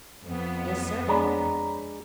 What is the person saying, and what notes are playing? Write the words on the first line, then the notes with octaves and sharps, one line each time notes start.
"Yes, sir."
F2 B3
G#3 D4 C#5 A#5 B5